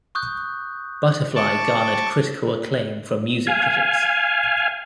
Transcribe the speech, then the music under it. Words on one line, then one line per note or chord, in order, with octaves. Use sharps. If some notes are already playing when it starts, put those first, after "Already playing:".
"Butterfly" garnered critical acclaim from music critics.
C#6 D#6 F#6 G6
A5 C#6 D6
F5 G#5